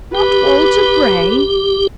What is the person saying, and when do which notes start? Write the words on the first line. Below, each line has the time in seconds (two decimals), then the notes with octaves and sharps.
'Not Walter Bray!
0.15 G4 B4